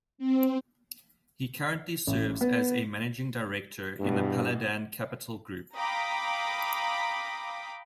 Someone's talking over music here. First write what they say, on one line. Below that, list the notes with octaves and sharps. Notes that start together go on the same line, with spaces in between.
He currently serves as a Managing Director in the Paladin Capital Group.
C4
A1
B3
G2 B2 E3
F5 G5 A#5 B5 D6 D#6